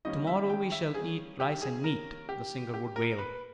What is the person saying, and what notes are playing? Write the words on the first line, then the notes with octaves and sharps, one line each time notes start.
"To-morrow we shall eat rice and meat," the singer would wail.
D#3 G3 A#3 C#4 D#5
E5
G5
E5
G#4
G4
G#4
A#4
G4
G4
A#4
B4